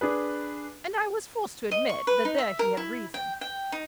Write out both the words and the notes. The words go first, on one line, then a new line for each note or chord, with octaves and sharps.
And I was forced to admit that there he had reason.
D4 G#4 B4
D#5
C#6
B4
D#4
E5
A#4
E4
G5
G5
D#4